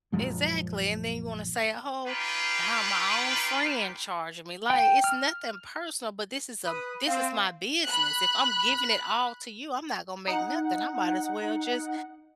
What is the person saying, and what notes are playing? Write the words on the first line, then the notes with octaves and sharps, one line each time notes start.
Exactly, and then you wanna say, "Oh, to have my own friend charging me," like, it's nothing personal, but this is a this is my business. If I'm giving it all to you, I'm not gonna make nothing. I might as well just
A#1 F#2 F3 G#3
D#4 F4 G4 G#4 B4
G5
F6
B4 D#6
C4 F5
B5 F#6
D#4 F#5